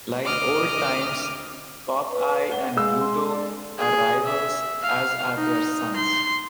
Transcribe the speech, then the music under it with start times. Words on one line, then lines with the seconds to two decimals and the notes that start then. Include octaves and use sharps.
Like old times, Popeye and Bluto are rivals, as are their sons.
0.24 D2 D#5 D6 F6
2.11 B4
2.51 F#5 G7
2.77 G#3 F5 E6
2.99 C6
3.29 D5
3.78 G#4
4.24 E5
4.82 F5
5.37 D#4
5.96 C6